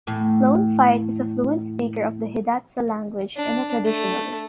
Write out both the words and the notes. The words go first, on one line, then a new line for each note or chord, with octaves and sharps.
Lone Fight is a fluent speaker of the Hidatsa language and a traditionalist.
E2 A2
D4
A3